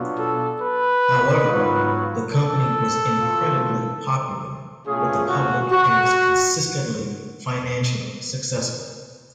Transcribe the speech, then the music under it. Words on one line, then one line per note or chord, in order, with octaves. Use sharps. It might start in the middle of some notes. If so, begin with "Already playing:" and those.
However, the company was incredibly popular with the public and was consistently financially successful.
Already playing: B2 F#3 B3 D4 F4
A4
B4
G#2 F#3 B3 F4
A4
B2 A3 F4
B2 A3 C#4 F4 G#4
F#4
F#4